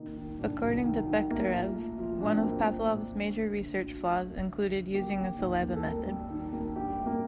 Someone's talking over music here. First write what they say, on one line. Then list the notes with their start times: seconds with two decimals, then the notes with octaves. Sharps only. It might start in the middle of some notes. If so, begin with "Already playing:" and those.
According to Bekhterev, one of Pavlov's major research flaws included using a saliva method.
Already playing: C3 D#3 A#3 D#4
0.17 D#3
0.39 C2 D4
0.62 C2
0.84 D#3
1.07 D#3
1.31 A3 A#3
1.52 A#2
1.75 A3
1.98 F3
2.20 A#2 D4
2.31 C4
2.42 A#2 A#3
2.51 C4
2.67 F3
2.89 A#2
3.11 D3
3.34 A3
3.58 D3
3.80 D2
4.03 A3 D4
4.25 A3
4.48 D3
4.70 D3
4.93 A#3 G4
5.16 A#3
5.39 D#2
5.61 A#3
5.76 A4
5.85 G3 A#4
6.07 G3
6.30 D#3
6.53 A#3
6.76 G2 G4
6.99 A3
7.06 A#3